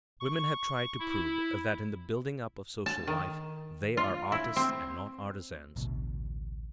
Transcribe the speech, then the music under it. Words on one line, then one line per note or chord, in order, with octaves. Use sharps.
Women have tried to prove that in the building up of social life they are artists and not artisans.
C#6
E4
A5
D#3
F4
E4
C4
A1 D2 B2